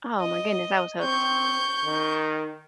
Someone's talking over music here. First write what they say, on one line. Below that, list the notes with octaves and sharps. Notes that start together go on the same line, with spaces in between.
oh my goodness, I was hooked.
D#5
C4 C#6 G6
D#3